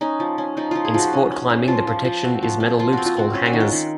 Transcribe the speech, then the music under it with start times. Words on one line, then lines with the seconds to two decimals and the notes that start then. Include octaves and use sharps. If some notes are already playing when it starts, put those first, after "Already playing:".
In sport climbing the protection is metal loops called hangers.
0.01 C#4 D#4
0.20 F3
0.38 C#4
0.57 F3 D#4
0.71 F3 F4
0.85 G#4
0.94 F3 F#4
1.13 C#4
1.31 C#4
1.50 C#4
1.68 F3 F4
1.87 F3
2.05 F3
2.23 C4 F#4
2.43 F3
2.60 F3
2.79 F3 F4
2.93 C4 F#4
3.06 F4
3.17 C4 F#4
3.33 C#4 F4
3.46 F#4
3.53 D#3
3.60 F4
3.72 D#3